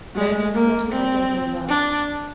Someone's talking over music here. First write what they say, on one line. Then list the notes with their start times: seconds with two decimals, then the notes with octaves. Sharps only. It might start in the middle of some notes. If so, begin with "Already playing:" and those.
"No, most certainly I don't know that."
0.15 G#3
0.54 A#3
0.92 C4
1.68 D4